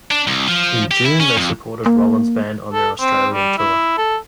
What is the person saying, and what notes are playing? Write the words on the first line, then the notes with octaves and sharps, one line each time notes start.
In June they supported Rollins Band on their Australian tour.
D4
C2
F3
G4
E4
C#4
F2
A#3
A4
C4
G3
E4
A4